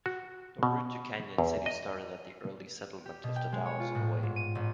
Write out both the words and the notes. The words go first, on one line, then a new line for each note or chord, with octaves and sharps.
The route to Canyon City started at the early settlement of The Dalles, away.
F#4
B2
E2
D#5
G4
B2
G5
G#3
C#5
F4
A2
G#2
D#7
A1